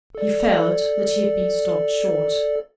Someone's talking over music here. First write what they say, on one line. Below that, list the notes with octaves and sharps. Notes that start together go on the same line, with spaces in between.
He felt that he had been stopped short.
A4 D5